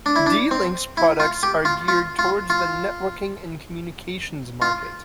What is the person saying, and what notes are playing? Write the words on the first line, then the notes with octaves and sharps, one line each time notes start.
D-Link's products are geared towards the networking and communications market.
D4
E4
D4
C4
E4
F4
G4
F4
F4
F4
F4
F4